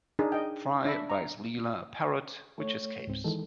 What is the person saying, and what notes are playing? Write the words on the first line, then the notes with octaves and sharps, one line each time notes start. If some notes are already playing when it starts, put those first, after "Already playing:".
Fry buys Leela a parrot, which escapes.
D4 D#4 G#4 A#4
D#5 G5
D4 E5 B5
A#5
A3 C#5
C#2 G#2 C4
D#3 E3 G#3 A4